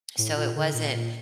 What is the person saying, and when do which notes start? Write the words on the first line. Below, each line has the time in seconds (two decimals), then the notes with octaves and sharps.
So, it wasn't
0.18 A2
0.37 A#2
0.56 D3
0.74 A#2
0.94 A#2